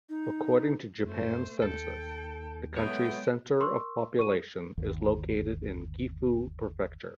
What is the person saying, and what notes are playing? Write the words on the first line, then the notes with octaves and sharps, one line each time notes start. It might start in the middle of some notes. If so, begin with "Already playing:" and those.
According to Japan's census, the country's center of population is located in Gifu Prefecture.
D#4
F#2 A3 C5
D#2 A4 G5
F#3 G#3 A3 B3 C#5 G5
A#4 C6 C#6 E6
C#6 D#7
G1 D#2